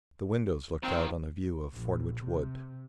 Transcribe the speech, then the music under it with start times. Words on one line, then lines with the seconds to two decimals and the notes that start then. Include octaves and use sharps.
The windows looked out on a view of Fordwitch Wood.
0.83 D#3 F3 C4
1.74 A#1
2.23 C3